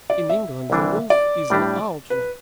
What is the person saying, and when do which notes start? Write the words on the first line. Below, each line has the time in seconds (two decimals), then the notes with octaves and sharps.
In England the wolf is an outlaw.
0.10 D5
0.29 E5
0.70 C2 C3 E3 G3 D4
1.10 D5
1.50 A2 G3 D4 G4
2.10 B4